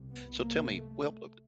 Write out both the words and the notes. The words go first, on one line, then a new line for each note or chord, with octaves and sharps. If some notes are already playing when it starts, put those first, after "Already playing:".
So, tell me well, oh
Already playing: C2 C3
B3
A#3
A3